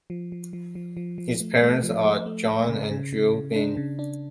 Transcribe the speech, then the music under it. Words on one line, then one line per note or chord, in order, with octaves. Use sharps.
His parents are John and Jill Bean.
F3
F3
F3
F3
F3
F3
A3
A3
F3
A3
A3
A3
C#3
C#3
C#3
C#3
D4
C#3
D4